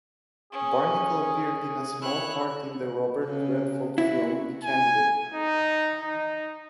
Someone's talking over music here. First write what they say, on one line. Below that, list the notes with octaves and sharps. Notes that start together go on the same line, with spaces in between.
Barnicle appeared in a small part in the Robert Redford film "The Candidate".
C#4 G#4
E4 C#5 F#6
C#3
E4 F#4
G#5
D#4
D#4